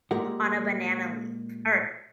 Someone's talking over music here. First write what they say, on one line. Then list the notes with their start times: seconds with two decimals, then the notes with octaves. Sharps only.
on a banana leaf or
0.11 A#2 G#3 G4 A#4 F#5